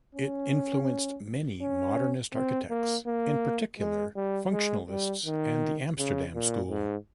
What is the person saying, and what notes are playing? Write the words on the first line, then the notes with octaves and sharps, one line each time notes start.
It influenced many modernist architects, in particular functionalists and the Amsterdam School.
C#4
C#4
C4
A#3
A#3
G#3
G3
G#3
G3
D#3
C#3
A#2
G#2